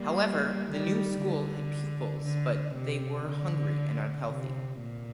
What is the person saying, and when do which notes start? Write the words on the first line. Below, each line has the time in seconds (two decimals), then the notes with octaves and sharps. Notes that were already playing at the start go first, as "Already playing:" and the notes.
However the new school had pupils but they were hungry and unhealthy.
Already playing: G3 A#3
0.71 D#3 G3
1.22 D3
2.24 D3
2.75 C3
3.27 D3
4.29 C3
4.79 A#2